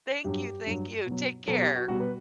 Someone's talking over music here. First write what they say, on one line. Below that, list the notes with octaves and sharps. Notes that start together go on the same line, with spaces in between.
Thank you, thank you, take care.
G2 F#3 G4
G2 F#3
B2 F#3
B2 F#3 A4
G4
F#4
B2 G3 F#4
B4